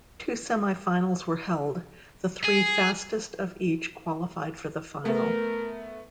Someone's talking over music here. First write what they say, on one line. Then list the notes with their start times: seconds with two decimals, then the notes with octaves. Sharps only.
Two semifinals were held, the three fastest of each qualified for the final.
2.45 G#4
5.05 A3 B3 A#4